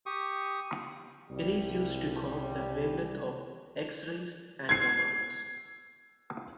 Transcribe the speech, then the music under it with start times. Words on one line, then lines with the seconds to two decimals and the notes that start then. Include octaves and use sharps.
It is used to quote the wavelength of X-rays and gamma rays.
0.06 G4 C#6 D#6
1.29 C2 G3
4.69 G#6 C7